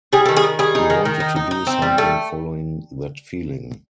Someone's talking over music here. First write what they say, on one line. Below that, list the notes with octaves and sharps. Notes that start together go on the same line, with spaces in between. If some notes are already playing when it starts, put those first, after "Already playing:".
We wanted to do something following that feeling.
G3 G#4
D#3 A4
G#4
D#3
G3 G#4
D#4
D#3
D#3
D#4
D#4
D#4
C4
G3
A3 A4